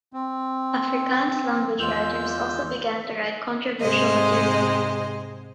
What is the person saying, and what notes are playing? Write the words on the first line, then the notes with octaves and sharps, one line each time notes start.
Afrikaans-language writers also began to write controversial material.
C4
E2 E3 G#3 F4 E6 G6
G#2 C3 G#3 C5 D#5